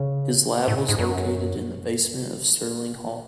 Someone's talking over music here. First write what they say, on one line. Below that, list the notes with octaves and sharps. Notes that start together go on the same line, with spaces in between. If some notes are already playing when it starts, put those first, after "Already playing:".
His lab was located in the basement of Sterling Hall.
Already playing: C#3
A2
G#2
F#2